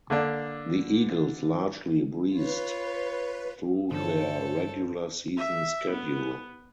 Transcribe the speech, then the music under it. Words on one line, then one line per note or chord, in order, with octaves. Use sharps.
The Eagles largely breezed through their regular season schedule.
D3 A#3 D4
F4 B4 C#5
G2 D3 F3 A4 C5 C#5
E5
B3